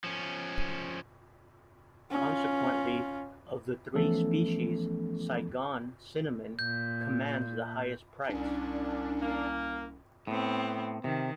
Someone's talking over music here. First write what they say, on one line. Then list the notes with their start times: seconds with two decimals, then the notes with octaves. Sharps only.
Consequently, of the three species, Saigon cinnamon commands the highest price.
0.04 F3 C#4
2.10 C#4 F4
3.94 E3 F3 A3 B3 C#4 A4
6.59 A#2 G6
8.29 C2 C#4 D4
9.21 A#3
10.27 A2 B3 C4
11.04 C3 D#3